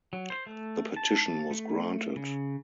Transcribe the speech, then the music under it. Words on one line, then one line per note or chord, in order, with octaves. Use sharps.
The petition was granted.
F#3
C5
A3
A5
A3
C#3